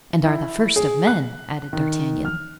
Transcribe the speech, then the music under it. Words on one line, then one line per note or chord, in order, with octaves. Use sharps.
"And are the first of men!" added D'Artagnan.
E4
G#4
F#6
D#3
F6